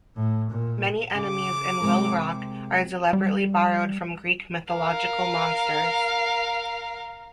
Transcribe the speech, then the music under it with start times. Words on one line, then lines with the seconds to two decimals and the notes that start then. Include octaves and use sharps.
Many enemies in Will Rock are deliberately borrowed from Greek mythological monsters.
0.15 A2
0.51 A#2
1.15 C#3 D6
1.80 C3 G#3 A#4
3.13 G3
4.72 A#4 F5